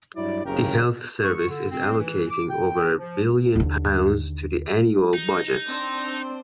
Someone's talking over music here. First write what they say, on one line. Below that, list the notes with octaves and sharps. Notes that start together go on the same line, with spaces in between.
The health service is allocating over a billion pounds to the annual budget.
G2 F#3 E4 D5
F#1 D#2 C#3 G4 A#4
C#6
D3
C4
E3
D6
G5
F3
D#2 D3
D#4
C4 D4 C5